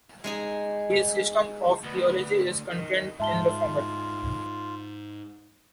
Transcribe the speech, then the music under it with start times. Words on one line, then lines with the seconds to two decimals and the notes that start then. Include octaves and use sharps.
His system of theology is contained in the former.
0.24 G#3 D#4 G#4
1.84 D2 B3
2.71 D#3
3.20 G#2 F4 E5 A5 G7